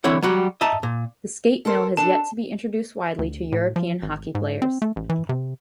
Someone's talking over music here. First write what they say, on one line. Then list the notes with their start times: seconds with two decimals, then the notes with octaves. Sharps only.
The skatemill has yet to be introduced widely to European hockey players.
0.04 D3 E3 C4 E4 C#5 F#5
0.22 F#3 G3 F#4
0.61 D#5 E5 A5 A#5
0.83 A#2
1.65 A4 A#4 C5
1.97 D4 A4 A5
3.19 D2
3.52 A2
3.76 F3
4.03 G#1
4.35 G#2
4.62 C4
4.82 A3
4.96 A1
5.09 E3
5.29 C3